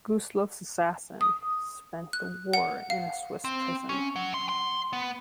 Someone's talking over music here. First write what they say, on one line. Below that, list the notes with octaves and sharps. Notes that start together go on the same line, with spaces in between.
Gustloff's assassin spent the war in a Swiss prison.
D#6
F#6
F#5
F5
C4
C#4
F#3
C6
C6
B3